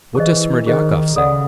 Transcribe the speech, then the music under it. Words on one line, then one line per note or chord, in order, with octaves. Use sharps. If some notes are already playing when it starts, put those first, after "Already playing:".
What does Smerdyakov say?
E3 G#4 C5 D#5
D#3 G#4 C5 D#5
C#3 A4 D5 F#5 B5